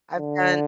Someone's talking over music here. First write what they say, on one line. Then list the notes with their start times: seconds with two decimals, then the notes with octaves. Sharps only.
I've done
0.18 D3